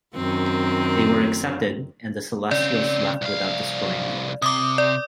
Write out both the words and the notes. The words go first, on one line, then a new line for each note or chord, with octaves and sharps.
They were accepted, and the Celestials left without destroying the Earth.
F#2 D#3 C4
C#3 C4 D5
C2 F5
C3 D6 D#6
D5